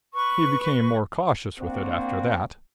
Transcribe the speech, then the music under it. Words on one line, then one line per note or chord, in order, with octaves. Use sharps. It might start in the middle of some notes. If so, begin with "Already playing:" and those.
He became more cautious with it after that.
B4 C#6
A#3 C4 D4 F#4